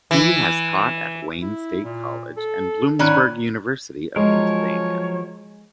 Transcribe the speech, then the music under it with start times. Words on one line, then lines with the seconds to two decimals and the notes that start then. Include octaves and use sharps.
He has taught at Wayne State College and Bloomsburg University of Pennsylvania.
0.11 E3
1.42 E4
1.84 A#2
2.37 A4
2.99 G#2 D#3 C#4 D5 B5 F#6
4.16 F3 F#3 G#3 A#4 C#5